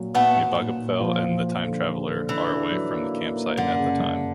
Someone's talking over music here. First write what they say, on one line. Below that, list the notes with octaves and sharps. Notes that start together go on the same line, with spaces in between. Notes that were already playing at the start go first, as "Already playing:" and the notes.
Nebogipfel and the Time Traveller are away from the campsite at the time.
Already playing: A#2 F#3
A#2 A3 B3
A#2
A#2
A#2
F3
F3
F3
D3
D3
D3
E3 D4
D4
F#3
A#3
A#3
A#3
F#2 D3
C#3
F#2